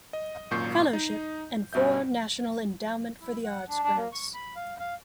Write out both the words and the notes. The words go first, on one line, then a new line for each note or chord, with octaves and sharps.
Fellowship, and four National Endowment for the Arts grants.
D#5
G#1 F#2 A#2 C#6 G6 C7
D#4 D#5
G2 B2 E5 G6
E4
F#5
D4
D4
A#3
C#6
B5
F5
F5